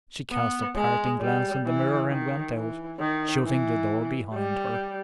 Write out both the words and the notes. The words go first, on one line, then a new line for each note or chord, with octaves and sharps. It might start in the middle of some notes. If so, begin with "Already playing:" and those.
She cast a parting glance in the mirror and went out, shutting the door behind her.
B3
G#3
G3
E3
D#3
E3
D#3
E3
G3